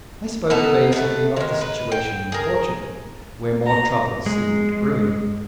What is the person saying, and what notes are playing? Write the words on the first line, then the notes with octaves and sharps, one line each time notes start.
I spoke evasively of the situation in Portugal, where more trouble seemed brewing.
B2 B3 D#4 A4
A3 B3
D#3 G#3
B4
G5
G#4 A#4
A#5
G#3